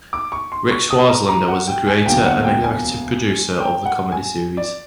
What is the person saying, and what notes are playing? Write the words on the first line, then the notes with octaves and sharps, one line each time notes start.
Ric Swartzlander was the creator and executive producer of the comedy series.
D6
C#6
C6
C#6
D#6
A#5
A#5
F#5
G5
G#5
E1 D2 D3 F#3 A#3 G5
F#5
G5
G#5
G5
F#5
G#5
D5